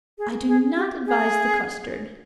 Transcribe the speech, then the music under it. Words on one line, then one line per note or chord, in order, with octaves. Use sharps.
I do not advise the custard.
G#4
G#4
G4
G#4